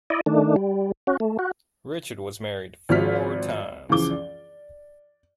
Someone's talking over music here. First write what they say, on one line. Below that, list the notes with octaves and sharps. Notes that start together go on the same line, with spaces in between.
Richard was married four times.
E4 D5 D#5
D#3 A3 D4
G3
C#4 F#4
A3
F#4
G#1 F3 F#4 F6 B6
C#2 F#2 E3 F3 D6 G7
D5